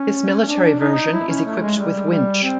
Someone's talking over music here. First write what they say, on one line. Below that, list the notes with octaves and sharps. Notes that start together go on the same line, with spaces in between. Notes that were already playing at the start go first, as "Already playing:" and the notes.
This military version is equipped with winch.
Already playing: C#4
C#4
D4
D#4
E4
C#4
A3
G#3
G3
G3
C4